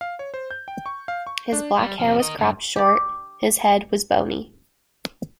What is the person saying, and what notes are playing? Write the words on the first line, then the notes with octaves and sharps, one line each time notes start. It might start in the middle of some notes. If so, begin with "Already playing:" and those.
His black hair was cropped short, his head was bony.
F5
C#5
C5
G6
G5
C#6
F5
C#6
D4
G3
C3 F3
A#4 D#5
G2 D3
G4 D5